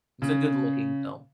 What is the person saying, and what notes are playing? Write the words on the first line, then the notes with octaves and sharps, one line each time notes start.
It's a good-looking film.
C#3